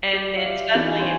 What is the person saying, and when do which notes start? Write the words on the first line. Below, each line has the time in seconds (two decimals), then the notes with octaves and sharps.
And then suddenly it
0.13 G4 D5
0.36 F4 E5 F5
0.74 E3 B3 C#4 D#4 F4 G4
0.99 C#5 G5 G#5 C6